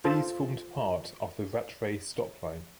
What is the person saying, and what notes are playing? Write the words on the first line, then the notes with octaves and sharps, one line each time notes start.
These formed part of the Rattray stop line.
F4 A4 C5 A5